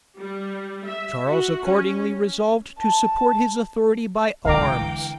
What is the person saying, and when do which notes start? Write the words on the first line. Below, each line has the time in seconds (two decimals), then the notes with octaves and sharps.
Charles accordingly resolved to support his authority by arms.
0.17 G3
0.86 E5
1.28 F#4
1.65 C#4
2.79 A5
4.45 D3 E3 G#3 F5 G5 A#5 D6